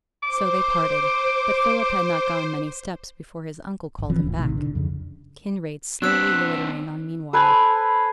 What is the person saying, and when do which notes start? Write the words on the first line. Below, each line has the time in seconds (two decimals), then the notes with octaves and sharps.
So they parted; but Philip had not gone many steps before his uncle called him back, Kinraid slowly loitering on meanwhile.
0.23 C5 D6
3.98 G#1
4.10 G#1 E3 F3 C4
4.24 D#1 A2
4.37 A1 A2 C3 D#3
4.57 D3
4.75 F2 C#3
6.02 B3 C4 D4 E6 F#6 B6
7.33 A4 B4 C5 G#5